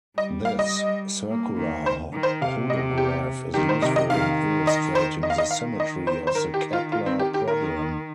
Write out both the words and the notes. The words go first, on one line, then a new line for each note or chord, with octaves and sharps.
This circular hodograph is useful in illustrating the symmetry of the Kepler problem.
G3 D#5
F5
D#5
A#3
D#3
C5
D#3
C5
C3 F5
D#5
G4
D#3 G4
C5
C3 D#5
D#5
D#3 F5
D#5
C5
D#3 D#5
F5
D#5
F5
D#5
C5
C5
D#3 A#4
G4
F4
F4
C4
G4
G4
D#3 A#4